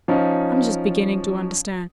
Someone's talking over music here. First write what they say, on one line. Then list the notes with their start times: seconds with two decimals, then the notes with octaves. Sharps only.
I am just beginning to understand.
0.08 F3 C#4 D#4 F4